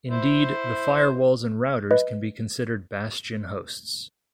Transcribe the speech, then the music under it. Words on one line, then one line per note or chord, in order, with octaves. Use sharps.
Indeed, the firewalls and routers can be considered bastion hosts.
E4 C5
B4 D#5